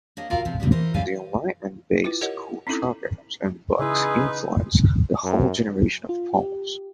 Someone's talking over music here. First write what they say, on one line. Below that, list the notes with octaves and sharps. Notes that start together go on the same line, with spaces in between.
The Enlightenment-based school programmes and books influenced the whole generation of Poles.
A#3 D4 C#5 D#5
F4 F#4 A4 A#4 D5 F5
C3 F3
G2 A#2 D3 F#3 B3
E3 E4 A#4 C5
F#2 G3 D4 F5 G#5
E4 F4 B4
G4 A#4 C#5 D#5 F#5
C4 C#4 D#4 E4 A4
C#3 D#4 E4 G#4 B4 C6 D#6 E6
F#2
F4
G4